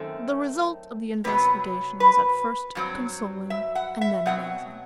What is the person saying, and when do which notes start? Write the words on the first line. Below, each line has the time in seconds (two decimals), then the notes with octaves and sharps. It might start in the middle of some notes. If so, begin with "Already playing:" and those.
The result of the investigation was at first consoling, and then amazing.
Already playing: F#2 D#3 A3 C4
1.24 C3 F#3 B3 B4
2.00 B4
2.75 G2 F#3 C4
3.50 E5
3.75 F#5
4.01 E5
4.26 B2 F#3 C4 F#5